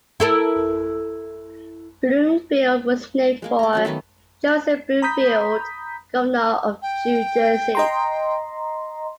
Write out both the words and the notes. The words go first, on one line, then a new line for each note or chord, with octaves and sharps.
Bloomfield was named for Joseph Bloomfield, governor of New Jersey.
E4 A4 A#4
G#3 A#3 G#4
A#5 D6
F#3 C#4 D5
D#3 A3 B3 D#5
A#5 B5 D#6 G6 B6
G5
D#5 A#5 C6